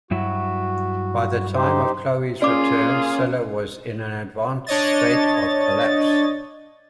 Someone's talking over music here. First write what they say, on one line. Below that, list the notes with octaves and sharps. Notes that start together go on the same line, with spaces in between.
By the time of Choe's return Silla was in an advanced state of collapse.
G2 F#3 E4 F#4
D#4 G4 C5
A#3 C#4 F4 G#4 D5 D6
D4 C#5 D#5 A6